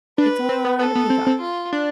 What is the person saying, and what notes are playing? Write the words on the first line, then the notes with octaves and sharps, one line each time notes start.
It's on Peacock,
D4 B4
C4
B3
B3 A4
B3
C4
C4
F4
D4